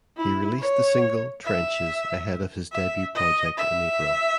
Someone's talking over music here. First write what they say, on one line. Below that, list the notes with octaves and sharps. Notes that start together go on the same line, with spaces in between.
He released the single "Trenches" ahead of his debut project in April.
E4
C#5
E5
E5
D#5
E5